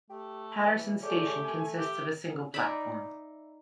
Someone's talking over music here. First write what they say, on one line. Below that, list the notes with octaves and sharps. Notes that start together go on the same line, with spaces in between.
Paterson station consists of a single platform.
A3 G4
E3
A3 G4 G#4 C#5 D5
G#5
G4 E5
D#4 D5 E5 B5